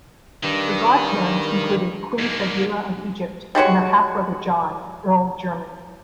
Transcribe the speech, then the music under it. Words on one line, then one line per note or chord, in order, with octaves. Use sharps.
Her godparents included Queen Fadila of Egypt and her half-brother John, Earl Jermyn.
G2 D#3
G#2 A#3
G3 G#3 F#4 C#5